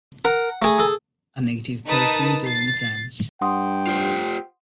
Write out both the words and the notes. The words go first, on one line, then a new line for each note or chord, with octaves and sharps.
A native person doing a dance.
A#4 F#5
A3 G#4 G#5 A#5
G#4 A4
D#4 A#4 B4 A5 D#6
A6 C7
G2 F#5 G5 C6 D#6
F4 G4 C5